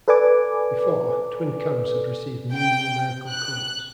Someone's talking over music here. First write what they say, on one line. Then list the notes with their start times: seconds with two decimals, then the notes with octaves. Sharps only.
Before, twin cams had received new numerical codes.
0.08 A4 B4 D5 G#5 D6
2.53 G5
3.30 F#6